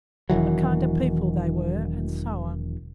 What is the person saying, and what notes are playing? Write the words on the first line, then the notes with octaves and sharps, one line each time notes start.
What kind of people they were? and so on.
E1 D#3 E3 F#3